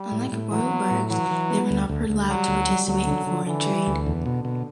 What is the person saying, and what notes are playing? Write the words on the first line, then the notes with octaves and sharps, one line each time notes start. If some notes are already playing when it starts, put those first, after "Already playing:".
Unlike royal burghs, they were not allowed to participate in foreign trade.
Already playing: G3
A2
A2
E3 F#3
B3
A2
E3 F#3
E3
B3
D2
D2
D2
F#3 G3
D2
G3
D2 F#3
D3
D3
D3 E3
G3
D2
E2 D3
B2
B2